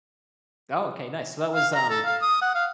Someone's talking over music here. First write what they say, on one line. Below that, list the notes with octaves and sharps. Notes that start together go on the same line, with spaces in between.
Oh, okay, nice. So, that was, um,
F5
A#5
A4
F5
D#6
F#5
F5